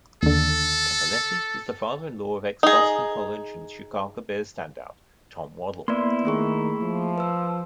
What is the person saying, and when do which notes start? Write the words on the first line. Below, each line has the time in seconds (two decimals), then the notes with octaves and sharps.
Cappelletti is the father-in-law of ex-Boston College and Chicago Bears standout Tom Waddle.
0.23 D#2 D3 A4
2.63 D#4 G#4
5.88 A#3 B3 E4 B4 D5 C6
6.25 D#3 A3 G#4 C#6
6.81 F3
7.18 B4 E6